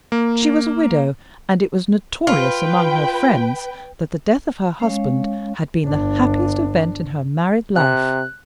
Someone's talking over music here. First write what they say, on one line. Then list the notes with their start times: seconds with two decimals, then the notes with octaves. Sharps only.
She was a widow; and it was notorious among her friends that the death of her husband had been the happiest event in her married life.
0.12 A#3
2.27 F4 B4 G5
4.80 G#3 C#4 C#5 F5
5.85 G1 D4
7.76 C3 F#6